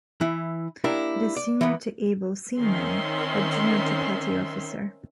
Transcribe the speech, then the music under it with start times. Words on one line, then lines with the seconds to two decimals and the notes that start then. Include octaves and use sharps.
It is senior to able seaman but junior to petty officer.
0.21 E3 E4
0.84 A#3 D4 E4 G4 A#4
1.37 D5
1.61 E3 A#3 B3
2.57 D#3 C4 C#4 E5 C6